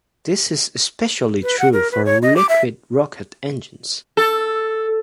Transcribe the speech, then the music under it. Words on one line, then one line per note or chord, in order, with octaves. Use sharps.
This is especially true for liquid rocket engines.
B4
F#5
A#4
B4
C#5
D#5
D6
E5
A4